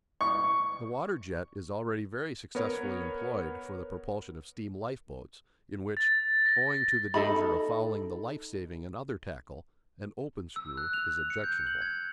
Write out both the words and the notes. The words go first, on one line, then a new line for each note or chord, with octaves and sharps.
The water-jet is already very successfully employed for the propulsion of steam lifeboats in which, owing to the danger of fouling the life-saving and other tackle, an open screw is objectionable.
C#6
B3 A#4 C#5
A6
A#6
A#6
D#4 A4 D#5 B5
E6
F#6
F7
C#7
G6
F#7
G#6